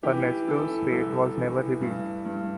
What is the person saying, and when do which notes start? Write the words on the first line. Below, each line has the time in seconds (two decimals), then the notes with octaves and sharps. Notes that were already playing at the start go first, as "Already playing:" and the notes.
Ernesto's fate was never revealed.
0.03 E3 G4
0.48 E3 A4
0.92 C2 A4
1.37 E3
1.81 G2
2.25 G2